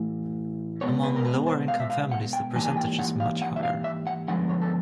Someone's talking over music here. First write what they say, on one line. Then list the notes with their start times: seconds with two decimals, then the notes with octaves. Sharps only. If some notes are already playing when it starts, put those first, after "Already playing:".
Among lower income families the percentage is much higher.
Already playing: A2 E3 A3
0.81 B2 G#3 B3 C#5
1.03 B4
1.16 A#4
1.25 B4
1.47 C5
1.68 F5
1.80 E5
1.90 F5
2.11 F#5
2.33 G5
2.54 G#2 E3 G3 A#3 G#5
2.66 G#5
2.77 G5
2.99 F#5
3.20 F5
3.42 F#5
3.56 E5
3.63 F5
3.84 E5
4.07 F#5
4.28 G2 D3 F3 G#3 B3 F#5
4.49 C#5
4.62 A4